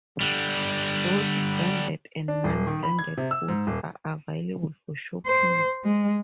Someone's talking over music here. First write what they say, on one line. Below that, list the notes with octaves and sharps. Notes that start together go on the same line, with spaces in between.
Both branded and non-branded goods are available for shopping.
D3 G3
D4
D#1
D#3
B5
G#6
C3
E6
G#2
D#1
C5
G#3